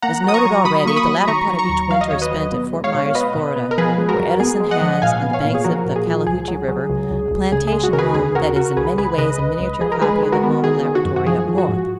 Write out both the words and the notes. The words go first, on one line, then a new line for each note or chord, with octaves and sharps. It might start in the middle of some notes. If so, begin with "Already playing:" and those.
As noted already, the latter part of each winter is spent at Fort Myers, Florida, where Edison has, on the banks of the Calahoutchie River, a plantation home that is in many ways a miniature copy of the home and laboratory up North.
A#3 F#5 A#5
F#3 D#6
A#5 C#6
F#3
F#3 B5 D#6
A#3 C#6
B5 D#6
F#3
D#3 A#5 C#6
F#3
A#5 C#6
D#2
F#3 F5
D#5
D#2 C#5
B4 D#5
F#3
B2
G#3
C#5 F5
B2
B3 B4 D#5
B2
B3
A#4
F3 G#4 B4
G#3
F#4 A#4
F#2
B3 G#4
G#3
D#5 F#5
F3
A#2 F5 G#5
B3
C#5 F5
A#2
G#4
F3 F#4 A#4
A#2
G#4
F3
C#2 G#4
F#3
F#3
C#2
C#2
C#2
C#3 G#4
G#4
G#3
F#4
C#3 A#4
G#4 B4
D#2 G#4
C#3 F#4 A#4
C#3 F#4 A#4
C#2 G#4 B4
C#2 G#4 B4
C#3 B4 D#5
C#2
C#2
F3 G#4
A#4
G#3 G#4 B4
D#3
F#4 A#4
B3
D#3 G#4
D#3
F#4
F#2
F#4
F3 G#4
F3
F#4
G#2